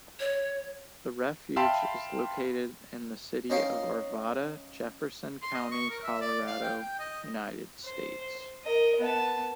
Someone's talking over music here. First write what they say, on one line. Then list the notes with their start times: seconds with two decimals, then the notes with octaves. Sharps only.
The refuge is located in the City of Arvada, Jefferson County, Colorado, United States.
0.20 C#5
1.56 E5 F5 G5 A5 B5 C6
3.50 C#4 D#4 C5 C#5 F5 G5
5.42 C6
5.55 D#5
5.72 C#6
5.90 A#4
6.03 E5
6.21 D5
6.47 F5
6.62 G5
6.81 G5
7.00 D#5
7.85 C5
8.64 A#4 D#5
9.00 B3 A5